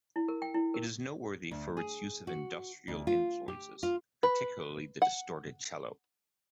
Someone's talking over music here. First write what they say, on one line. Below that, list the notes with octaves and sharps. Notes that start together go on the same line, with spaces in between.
It is noteworthy for its use of industrial influences, particularly the distorted cello.
E4
A#4
G5
E4
A#4
D2
G#4
F#4
D2
F4
G4
F4
B4
F#5